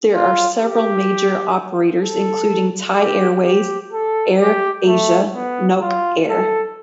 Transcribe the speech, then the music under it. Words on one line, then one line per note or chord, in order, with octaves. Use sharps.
There are several major operators including Thai Airways, Air Asia, Nok Air.
F4
G4
A4
G4
G4
A4
G4
A3
B3
F4
A4